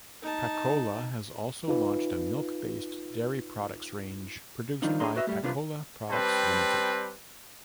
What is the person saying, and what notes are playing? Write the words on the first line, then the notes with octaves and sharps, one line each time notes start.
Pakola has also launched a milk-based dairy products range produced by Pakola Products Limited.
D#4 A5
D#4 F4 B4
D#3 F3 G3 D4 D#4 F4
D4 G#4 D#5 A#5 C6
F#4 B4 D#5 E5
G3 A3
C2 C3 D4 F4 B4
G3 C4 B4 A5